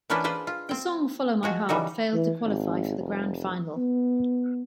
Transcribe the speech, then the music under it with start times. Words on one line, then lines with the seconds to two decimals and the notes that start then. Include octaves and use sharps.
The song, "Follow My Heart", failed to qualify for the grand final.
0.10 E3 A#3 C#4 D4 F4 B4
0.24 F4 G#4 B4 C5 D5
0.47 F4
0.69 C4 G5
1.43 F3 G#3 F#4
1.69 C#3 E3 G3 D#4 F#4
2.14 E3
2.46 G#1
2.99 F1
3.77 B3